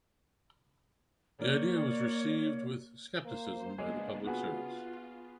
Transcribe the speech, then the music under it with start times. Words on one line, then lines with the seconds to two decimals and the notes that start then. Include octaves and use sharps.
The idea was received with skepticism by the public service.
1.39 A#3 C#5 D5
3.25 A#3 C5
3.78 C#3 G#3 A#3 B3 D4 G#4
4.26 B3 F4 F#4 G#4